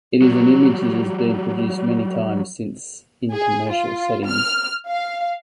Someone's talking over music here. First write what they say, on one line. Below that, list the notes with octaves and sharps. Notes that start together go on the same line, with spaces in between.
It is an image that has been produced many times since in commercial settings.
F#3 G3
G#4
F4
F6
F5